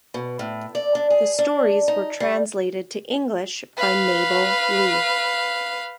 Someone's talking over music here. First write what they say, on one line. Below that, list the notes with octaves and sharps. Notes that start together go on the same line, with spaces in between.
The stories were translated to English by Mabel Lee.
B2
A2
D5
D4
G#4
D4
D#4
G3
B4 F5